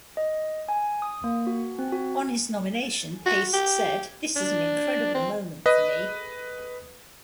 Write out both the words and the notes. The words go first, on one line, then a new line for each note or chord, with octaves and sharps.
On his nomination, Pace said, This is an incredible moment for me.
D#5
G#5
D#6
A#3
F#4
C4
F#4
F#4
G4
D4
C4
B4 D#5